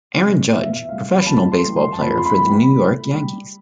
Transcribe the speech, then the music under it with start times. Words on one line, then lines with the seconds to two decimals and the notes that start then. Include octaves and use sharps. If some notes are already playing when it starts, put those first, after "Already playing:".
Aaron Judge, professional baseball player for the New York Yankees.
0.15 C3 G3
0.52 E2 E5
0.63 F5
0.72 E5
0.89 C3 G3 F5
1.18 B5
1.26 F2 A5
1.52 C6
1.64 E3 G3
1.76 C6
1.93 A5
2.01 F2 B5
2.18 C6
2.26 B5
2.39 E3 G3
2.51 B5
2.76 A2
3.13 G3